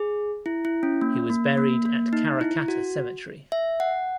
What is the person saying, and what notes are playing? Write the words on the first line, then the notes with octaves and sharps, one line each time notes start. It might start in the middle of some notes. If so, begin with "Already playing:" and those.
He was buried at Karrakatta Cemetery.
Already playing: G#4
E4
E4
C#4
A#3
A#3
A#3
A#3
D#4
E4
F#4
E5
F#5